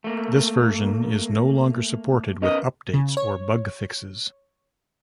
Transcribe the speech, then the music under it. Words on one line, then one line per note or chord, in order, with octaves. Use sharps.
This version is no longer supported with updates or bugfixes.
A3 A#3
C#4 A#4 B4 D#5
C#3
C#5